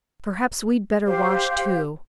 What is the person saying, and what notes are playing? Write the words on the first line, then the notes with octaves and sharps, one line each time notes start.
Perhaps we'd better wash too.
G4 C5 F5